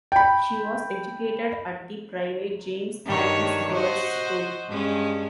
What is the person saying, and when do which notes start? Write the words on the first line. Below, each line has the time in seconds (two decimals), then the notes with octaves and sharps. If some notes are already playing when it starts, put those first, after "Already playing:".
She was educated at the private James Allen's Girls' School.
0.12 G5 B5
3.06 G2 D#3 C#5
3.73 F#4 C5 D#5
4.69 G2 G#3 C#4